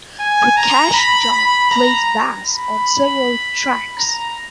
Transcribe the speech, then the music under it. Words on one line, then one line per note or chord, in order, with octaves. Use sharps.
Prakash John plays bass on several tracks.
G#5
A#5
B5
B5
A#5
B5
A#5